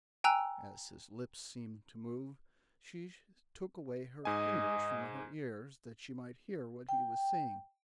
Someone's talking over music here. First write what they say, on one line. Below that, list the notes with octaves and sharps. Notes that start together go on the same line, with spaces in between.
As his lips seemed to move, she took away her fingers from her ears that she might hear what he was saying.
G5 G#5 A#5 E6 F#6 F7
G#2 D#5 G#5
G5